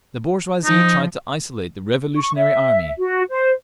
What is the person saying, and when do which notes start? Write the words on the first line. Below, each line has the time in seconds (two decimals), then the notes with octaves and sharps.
The bourgeoisie tried to isolate the revolutionary army.
0.64 F3 D#4
2.17 C#6
2.35 E5
2.99 F#4
3.29 C5